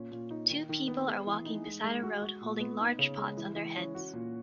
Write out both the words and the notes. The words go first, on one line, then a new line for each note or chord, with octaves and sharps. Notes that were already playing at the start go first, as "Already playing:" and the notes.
Two people are walking beside a road, holding large pots on their heads.
Already playing: A#2 C#4
A#2
D#4
D#3
D#3
B3
G#4
E3
D#4
G#3
G#3
F#4
F#4
A#2
B3
D#4
C#3
G#3
E3
E3
C#4
F#4
A#2